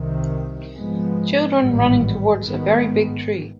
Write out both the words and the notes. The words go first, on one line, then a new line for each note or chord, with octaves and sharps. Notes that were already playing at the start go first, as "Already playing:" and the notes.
Children running towards a very big tree.
Already playing: C2 C3 D#3
G#2 F3 G#3 B3
A1 G#2 D#3 G3 B3
G#2 D#3 G#3 B3